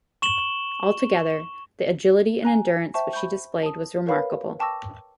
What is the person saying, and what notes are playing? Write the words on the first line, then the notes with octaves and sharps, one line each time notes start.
Altogether, the agility and endurance which he displayed was remarkable.
C#6 E7 F#7 G7
G#5 A#5 F#6
C5 E5 G5 A5 C#6
B5 C#6 G6
A5 D#6
A#4 B4 C#5 F5 B5
G5 A5 C#6 D6 E6 A#6